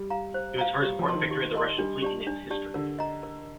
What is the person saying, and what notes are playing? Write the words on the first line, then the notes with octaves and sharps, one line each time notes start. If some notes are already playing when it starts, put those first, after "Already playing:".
It was the first important victory of the Russian fleet in its history.
Already playing: G3
F5 A#5
C5
F5 A#5
G3 G4
F3
A#4 D#5 A5 C6
D#3
G4
A#4 D#5 A5 C6
G3 D4
G4 D5 A5
D4
G4 D5 A5
D3 A#4
D#5 A#5
A#4